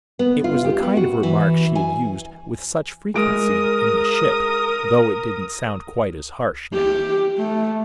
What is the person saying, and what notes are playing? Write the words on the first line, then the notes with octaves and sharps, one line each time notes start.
It was the kind of remark she had used with such frequency in the ship, though it didn't sound quite as harsh now.
B3
F4
G4
B3
F#4
E3
G#5
G#3 A#4 D#6 D7
G4
A3